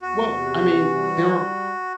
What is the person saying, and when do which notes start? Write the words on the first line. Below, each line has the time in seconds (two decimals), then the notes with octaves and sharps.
Well, I mean, there
0.01 E2 F#4
0.32 C3
0.62 E3
0.93 G3